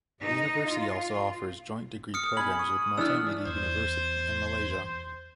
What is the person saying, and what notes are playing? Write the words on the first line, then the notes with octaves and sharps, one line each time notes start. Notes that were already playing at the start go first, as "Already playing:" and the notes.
The university also offers joint degree programs with Multimedia University in Malaysia.
D#4
F4
D#6 F6 C#7
G#5 B5 F#7
C#6 D#6
E3 B3 D4 E6 F6
E2 C5 G#6